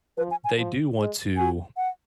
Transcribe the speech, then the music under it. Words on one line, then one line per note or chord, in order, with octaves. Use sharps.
they do want to
F3 B4
G#5
G#5
F3
G#3
F#4 G#5
F#5